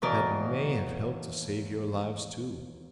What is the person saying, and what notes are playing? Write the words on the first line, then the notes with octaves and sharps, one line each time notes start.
That may have helped to save your lives too.
D#2 B2 E3 A#4 D5 D#5